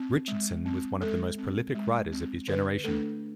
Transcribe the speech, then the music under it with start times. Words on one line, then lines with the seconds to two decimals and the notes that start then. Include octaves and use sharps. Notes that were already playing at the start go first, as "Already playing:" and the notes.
Richardson was one of the most prolific writers of his generation.
Already playing: C4
0.28 G#3
0.66 C4
1.01 G#3 A4
1.38 C4
1.74 G#3
2.12 C4
2.47 D3 B4
2.84 A3 D4 A4